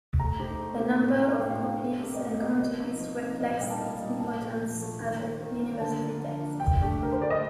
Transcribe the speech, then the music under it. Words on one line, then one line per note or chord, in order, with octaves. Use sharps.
The number of copies and commentaries reflects its importance as a university text.
A3 A#5
D#4 G4 C5
A3
D#4 G4 C5
A2
A3 D4 F4 C5
A2 G5
F5
A3 D4 F4 C5 G5
A3
C4 G4 A#4
D#5
A3 F5
C4 G4 A#4 D#5
F3 D#5
C4 D#4
F3
C4 D#4
A#2 D#5
F5
G3 A#3 D#4 A#4 G5
A5
A#2 F5
G3 A#3 D#4 A#4
A#2 A5
F3 A3
A#2
F3 A3
D#3
A#3 F4 C5
D#3
A#3 F4 C5
D3 A5
F3 A#3 D4
D3
F3 A#3 D4
D3 G5
A3 D4 G4
D3 A#4
C5
A3 D4 G4 D5
D#5